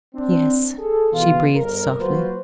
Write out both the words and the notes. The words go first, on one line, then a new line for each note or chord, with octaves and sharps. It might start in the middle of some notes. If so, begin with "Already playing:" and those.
"Yes," she breathed softly.
C4 D4
G#4 A4
B2 E3 G#3 F4
G1 G#2 A#4
F#3 A#3 F4 F#4 B4 C5